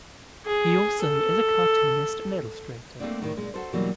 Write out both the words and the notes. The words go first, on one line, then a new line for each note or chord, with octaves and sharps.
He also is a cartoonist and illustrator.
G#4
A4
A3 A#3 C4 D4
A2 C3 D#3
A#2 G#3
F#4 A4 C5
B2 E3 F#3 G3 A#3